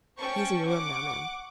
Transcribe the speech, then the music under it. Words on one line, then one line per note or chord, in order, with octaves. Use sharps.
He is in your room now, ma'am.'
C#4 C5 G5 A5 C#6
F#5 C#6 D6